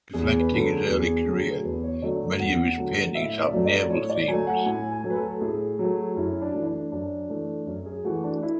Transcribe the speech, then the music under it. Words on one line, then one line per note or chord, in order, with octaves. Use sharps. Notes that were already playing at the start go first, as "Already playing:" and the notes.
Reflecting his early career, many of his paintings have naval themes.
E2 G#4
B4
D3 F#3 A3
A4
G#4
E2 G#4
D3 F#3 A3
E2 B4
C#5
D3 F#3 A3 D5
E2 F#5
D3 F#3 A3
A2 E5
D5
F#3 A3
D5
A2 C#5
D5
F#3 A3 G#5
F#5
A2 G#5
G#5
F#3 A3
B4
A4
A2 G#4
F#3 A3
F#2 E4
C#4
D4
E3 A3
E4
D4
F#2 D4
E3 A3
F#2 C#4
G#4
E3 A3 F#4
D4
E4